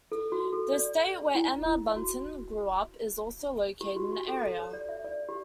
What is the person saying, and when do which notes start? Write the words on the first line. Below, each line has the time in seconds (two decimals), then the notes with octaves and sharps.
The estate where Emma Bunton grew up is also located in the area.
0.12 A4
0.32 F#4
0.53 A4
0.73 D5
1.35 E4
1.66 E4
1.96 F#4
3.81 G4
3.96 F#4
4.12 G4
4.28 A4
4.43 A4
4.58 C#5
4.73 D5
4.89 E5
5.05 D5
5.29 G4